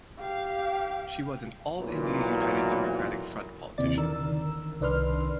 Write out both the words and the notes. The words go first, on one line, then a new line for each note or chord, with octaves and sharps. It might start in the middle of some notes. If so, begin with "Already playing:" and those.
She was an All India United Democratic Front politician.
G4 F5
B1 A#2 E3 F#3
D#2 C3 E3 D5 A6
D3 D#3 A#4 E6
C2 D#3 D4 B4 C6 F6